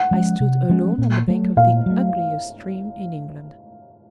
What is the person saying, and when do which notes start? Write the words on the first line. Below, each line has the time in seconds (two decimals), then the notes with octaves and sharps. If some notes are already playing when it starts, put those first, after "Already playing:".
I stood alone on the bank of the ugliest stream in England.
Already playing: F#5
0.11 F3 G#3 C#4
0.40 C3
0.69 F3 G#3 C#4
0.98 A#2
1.28 F#3 A3
1.57 A#2 F5
1.86 F#3 A3